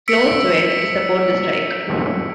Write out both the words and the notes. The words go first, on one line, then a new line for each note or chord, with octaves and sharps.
Closed Wed. to support the strike.
E6 B6 C#7 D7